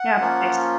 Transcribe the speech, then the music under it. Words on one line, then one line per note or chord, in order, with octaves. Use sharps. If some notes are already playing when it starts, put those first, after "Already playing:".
yeah, but this.
Already playing: F#5
F3 A#3 C#4 F4